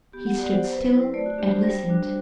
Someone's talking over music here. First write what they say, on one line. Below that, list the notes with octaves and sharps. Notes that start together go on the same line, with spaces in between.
He stood still and listened.
B3 G4
F#5
F#4 D5
C5
F#3 C5
B4
C4 E4 C5
C5
A3 D5
F#4
D4 F#4 G4
C5
G3
D4 F#4